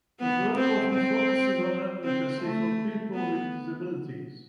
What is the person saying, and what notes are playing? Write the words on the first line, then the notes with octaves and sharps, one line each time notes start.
Her work often focuses on advocacy for people with disabilities.
B3
C4
C4
C4
A3
B3